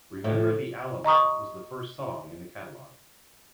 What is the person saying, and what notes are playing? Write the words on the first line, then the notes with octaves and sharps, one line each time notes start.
"Remember the Alamo" was the first song in the catalog.
A2
D#5 A#5 C#6 D#6